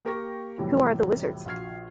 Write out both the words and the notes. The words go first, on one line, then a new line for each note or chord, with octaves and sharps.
Who are the Wizards?
A#3 G4 A#4 G5 C#6 A#6
F2 A2 C3 E3 F#3 G3
A#1 F4 F#4 F6 G#6 C7